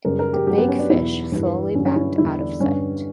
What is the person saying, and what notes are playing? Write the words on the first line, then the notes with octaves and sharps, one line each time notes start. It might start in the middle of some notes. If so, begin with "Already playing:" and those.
The big fish slowly backed out of sight.
F#2 C#3 G3 A#4
A#4
G4
G2 F#3 G4
B3
C#4
D4
E2 B2 F#3 E4
G2 E3 G3
G2 D3 F#3 C#4
C#4
E4
E2 D3 G3 E4
D4
G2 D3 G3 C#4